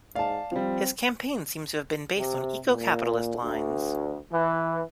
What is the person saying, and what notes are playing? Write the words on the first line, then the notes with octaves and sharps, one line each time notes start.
His campaign seems to have been based on eco-capitalist lines.
G#2 D5 F5 A5
F3 G3 C4
C3
A#2
D2
E3